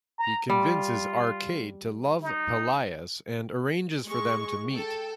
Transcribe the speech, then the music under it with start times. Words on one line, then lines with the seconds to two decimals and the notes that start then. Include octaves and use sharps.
He convinces Arcade to love Pellias and arranges for them to meet.
0.18 A#5
0.50 G3 F4
2.23 D#4
4.06 G#3 C#6
4.71 A4 G5